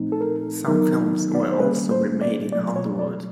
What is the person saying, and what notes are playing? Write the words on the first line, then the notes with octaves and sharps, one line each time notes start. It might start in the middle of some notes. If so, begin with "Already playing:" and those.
Some films were also re-made in Hollywood.
Already playing: A#2 F3 A3 C4 D#4
A4
A#4
D#3 F#3 B3 D#4 A#4
D5
C#5
C5
D#3 G3 A#3 C#4 B4
C5
D5
B2 F#3 A3 D5
C#5
D5